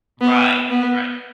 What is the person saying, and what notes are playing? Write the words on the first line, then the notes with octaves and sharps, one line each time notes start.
Right. Right.
B3
B3